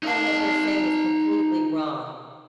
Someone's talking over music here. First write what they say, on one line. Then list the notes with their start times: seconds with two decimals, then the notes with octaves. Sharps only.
And what they're saying is completely wrong
0.03 D#4 A5